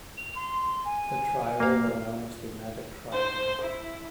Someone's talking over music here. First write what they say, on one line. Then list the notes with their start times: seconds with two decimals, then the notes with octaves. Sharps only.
The trio were known as the "magic triangle".
0.17 F7
0.35 C6
0.85 G#5
1.60 A#3 F5
3.12 C5
3.62 E4